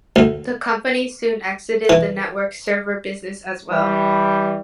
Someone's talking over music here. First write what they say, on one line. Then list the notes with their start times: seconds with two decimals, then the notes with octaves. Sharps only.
The company soon exited the network server business as well.
0.16 D2
1.89 E3
3.69 E3 G3